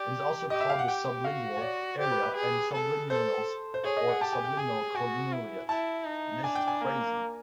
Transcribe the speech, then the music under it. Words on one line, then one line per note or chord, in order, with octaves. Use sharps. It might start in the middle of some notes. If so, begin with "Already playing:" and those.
It is also called the subgenual area, area subgenualis or subgenual cingulate.
Already playing: G4 D5
G4 D#5
E5
F5
F#5
G4 G5
F#4 F5
C#5
D5
G4 C5
B4
B4
G#4
A4
A4 C5
C5
G#4 C#5
D#5
F#5
G4 A5
G#5
G5
G#4 G#5
F#4 G#5
E4
E4 A5
D#4
D4 G#5
G5
G#5
A#3